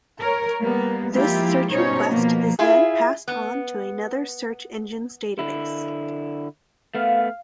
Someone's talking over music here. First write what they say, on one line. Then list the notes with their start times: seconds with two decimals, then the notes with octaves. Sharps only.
This search request is then passed on to another search engine's database.
0.20 A#4 C#5
0.61 G3 A#3 B3
1.13 F3 G#3 A#3 E4 F4 G4
1.71 B2 G3 C#4 D#4 C5 C#5
2.08 B2 F3 A#3
2.59 E4 F4 G#4
3.28 B3
5.39 D3 E4
6.95 A3 B3 F5